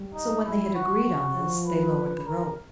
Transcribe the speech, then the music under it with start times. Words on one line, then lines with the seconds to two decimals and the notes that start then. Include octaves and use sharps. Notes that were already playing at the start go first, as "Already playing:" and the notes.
So when they had agreed on this, they lowered the rope.
Already playing: G3
0.14 D#4
0.44 F#3 E4
0.74 F#3 F#4
1.04 F#4
1.34 F3
1.65 B4
2.26 A#4